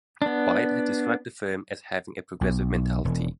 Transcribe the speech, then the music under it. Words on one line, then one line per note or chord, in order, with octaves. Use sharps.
Wired has described the firm as having a progressive mentality.
B3 D4
B1
E1